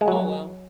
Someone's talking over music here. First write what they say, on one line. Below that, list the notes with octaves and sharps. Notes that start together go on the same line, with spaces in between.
Oh, well,
G#3
F#3